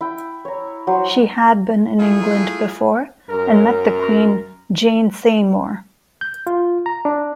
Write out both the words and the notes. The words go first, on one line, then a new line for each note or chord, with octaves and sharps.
She had been in England before and met the Queen, Jane Seymour.
E4 G5
C#5 A#5
F#3 C5
A3 E4 F4 G#4
F#2 A#4
G6
F4
A#5
D4